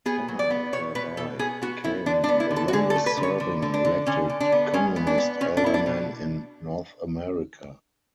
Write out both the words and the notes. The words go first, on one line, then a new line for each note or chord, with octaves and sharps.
Penner thereby became the longest serving elected Communist alderman in North America.
B3 G#4
F#3
D5
B3
B2 C#5
B2 B4
B2 A4
B3 G#4
B3 F#4
B3 E4
D3 D4
D4
B3
E4
D3
A4
F#4
D3 G#4
A4
A3
B4
D3
C#5
D3
D3
D4
D3
D3 C#4
D3
D4
B3
G#3 C#4
B3
D4
B3
B2 C#4
D4
B3 E4
D4
B2